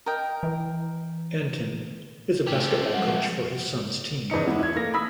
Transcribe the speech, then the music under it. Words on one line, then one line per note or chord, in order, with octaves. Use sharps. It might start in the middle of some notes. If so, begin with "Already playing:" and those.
Antin is a basketball coach for his son's team.
A#4 D#5 G5
E3
A2 A3 C4 C#4 G4
F3 G3 G#3 F#5
E2 C#4 D#4 C#7
G#3 B3 D#4 E4
E4 G#6
A3 A#3 A#6
B5 D#6 E6 B6